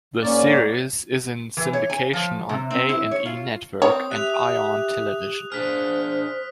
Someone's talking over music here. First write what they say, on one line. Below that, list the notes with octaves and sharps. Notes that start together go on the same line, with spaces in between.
The series is in syndication on A and E Network, and Ion Television.
G#2 A#3 C#4 D5
E3
C#5
G#5
F3
C3
C4
E4
C#5
F4
C4 C#5 D#6
G4 E5 F#6 F7
D4 G#4 C5 F6 B6